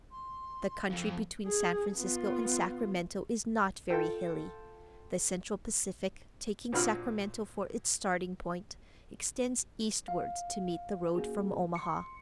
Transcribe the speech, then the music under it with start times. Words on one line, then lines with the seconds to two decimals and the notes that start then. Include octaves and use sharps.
The country between San Francisco and Sacramento is not very hilly. The Central Pacific, taking Sacramento for its starting-point, extends eastward to meet the road from Omaha.
0.11 C6
0.90 F2 F5
1.46 G#4
1.96 B3 F4
3.90 F4 A4 G5
6.72 A#2 C4 D4 F#4 B5 F6
10.08 F5
11.15 A#3 C#4 F#4 G#4
11.76 C6 C#7